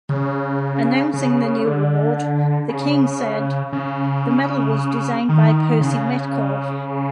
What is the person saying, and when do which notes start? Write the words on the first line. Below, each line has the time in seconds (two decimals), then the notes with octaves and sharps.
Announcing the new award, the King said: The medal was designed by Percy Metcalfe.
0.09 C#3
1.14 C#3
1.65 D3
2.69 C#3
3.73 C#3
5.29 D#3
5.81 C#3